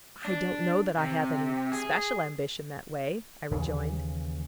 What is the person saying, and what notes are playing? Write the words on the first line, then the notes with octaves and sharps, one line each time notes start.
'I don't know that I have any special ambition that way,' I rejoined.
D4
C3
G#4
D#2 C#3 E3